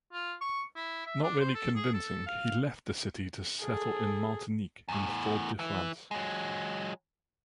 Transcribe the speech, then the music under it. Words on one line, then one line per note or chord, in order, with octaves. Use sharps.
Not really convincing, he left the city to settle in Martinique, in Fort-de-France.
F4
C#6
E4
E5
D4
C5
A4
G#4
A4
F5
G#4 A4
E2 A2
E3
F#3 G#3